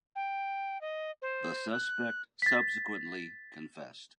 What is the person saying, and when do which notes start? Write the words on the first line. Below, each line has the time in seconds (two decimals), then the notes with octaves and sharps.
The suspect subsequently confessed.
0.16 G5
0.81 D#5
1.22 C5
1.72 F#6
2.42 A6 B6